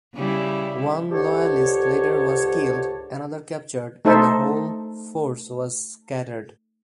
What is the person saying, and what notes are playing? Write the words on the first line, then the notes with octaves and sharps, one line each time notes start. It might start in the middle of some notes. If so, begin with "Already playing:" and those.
One Loyalist leader was killed, another captured, and the whole force was scattered.
C#3 G3 E4
C#2 G#2 D3 G4 C#5 A5
A3 D#4 A4 C5 E5